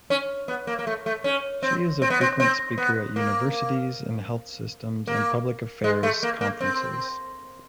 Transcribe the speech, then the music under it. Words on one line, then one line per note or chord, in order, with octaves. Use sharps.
She is a frequent speaker at universities and health systems and public affairs conferences.
C#4
B3
A#3
A#3
A3
A3
C#4
C4
C4
B3
C4
C4
B3
A#3
A#3
G#3
A3
A#3
A#3
C4